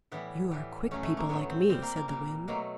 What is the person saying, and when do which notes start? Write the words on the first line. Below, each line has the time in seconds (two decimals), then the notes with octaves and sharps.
"You are quick people like me," said the Wind.
0.12 A2 E3 G3 B3
0.52 A2 E3 G3
0.91 A2 F#3 A3 C#4
1.03 A3
1.17 A#3
1.29 A2 F#3 A3 B3
1.50 C4
1.69 A#2 G3 C4
1.82 A#3
1.96 A#3
2.08 A#2 G3 A#3
2.48 B2 F#3 A3 A#3